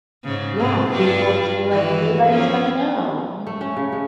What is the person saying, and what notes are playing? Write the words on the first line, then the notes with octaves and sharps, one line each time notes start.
Yeah, people just be, like, nobody's gonna know, mm.
G#2 C#3
G#2 C3 C4
G2 D4 F4
D#3 E3 F#4
F3 C4 C#4
A3
C#4
C#3
G#3